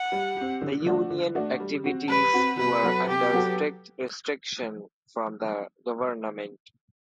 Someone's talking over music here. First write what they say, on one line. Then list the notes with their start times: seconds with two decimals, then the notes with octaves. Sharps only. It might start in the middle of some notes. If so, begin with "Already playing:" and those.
The union activities were under strict restriction from the government.
Already playing: F#5
0.12 G3
0.37 C4 G4
0.61 D3
0.86 A3 D4 F#4
1.10 D3
1.35 A3 D4 F#4
1.60 G3
1.84 C4 F#4
2.09 G3 B4
2.34 C4 F#4
2.59 C3 B4
2.83 F#3 B3 F#4 A4
3.08 C3 G4
3.33 F#3 B3 F#4 A4